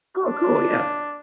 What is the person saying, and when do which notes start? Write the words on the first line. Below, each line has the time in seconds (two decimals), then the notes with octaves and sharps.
Oh, cool, yeah.
0.24 D4